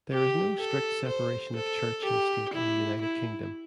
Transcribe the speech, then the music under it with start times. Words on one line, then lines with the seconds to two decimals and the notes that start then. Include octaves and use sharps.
There is no strict separation of church and state in the United Kingdom.
0.12 G4
0.60 A4
1.08 C5
1.56 A4
2.04 G4
2.53 E4
3.01 E4